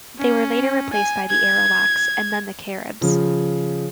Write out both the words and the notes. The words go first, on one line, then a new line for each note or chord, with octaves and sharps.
They were later replaced by the Arawaks and then the Caribs.
C#4
G#5
G#6
C#3 F3